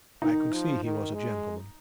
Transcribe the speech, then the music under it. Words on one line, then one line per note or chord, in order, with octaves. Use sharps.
I could see he was a gentleman.
D#3 D#4
F3
D#3
G#3